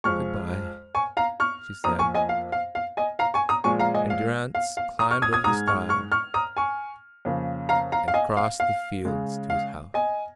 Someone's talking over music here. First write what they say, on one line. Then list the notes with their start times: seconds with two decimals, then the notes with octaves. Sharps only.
"Good-bye," she said, and Durrance climbed over the stile and crossed the fields to his house.
0.04 F2 F3 G#3 C#6 F6
0.95 G#5 C#6
1.17 F5 A#5
1.40 C#6 F6
1.84 F2 F3 A#3 A#5 D#6
1.99 G#5 C#6
2.14 D#5 G#5
2.29 F5
2.52 F5
2.75 F5
2.97 D#5 G#5
3.19 F5 A#5
3.34 G#5 C#6
3.49 A#5 D#6
3.64 A#2 F3 G#3 G#5 C#6
3.79 F5 A#5
3.94 D#5 G#5
4.10 F5
4.55 F5
4.77 F5
4.99 A#5 D#6
5.11 C#6 F6
5.22 D#6 G#6
5.33 D#6 G#6
5.44 G#2 G#3 A#5 D#6
5.67 C#6 F6
5.89 C#6 F6
6.12 C#6 F6
6.34 A#5 D#6
6.57 G#5 C#6
7.25 F2 C#3 A#3
7.69 F5 A#5
7.92 F5 A#5
8.08 F5
8.14 D#5 G#5
8.37 F5
8.60 F5
9.05 C#3 G#3
9.50 F5
9.94 D#5 G#5